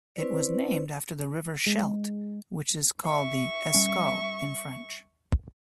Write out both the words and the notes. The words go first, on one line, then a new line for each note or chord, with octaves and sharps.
It was named after the river Scheldt, which is called the Escaut in French.
C4 C#4 E4 B4 C5 D5
G#3
E5 C#6
G3 C#4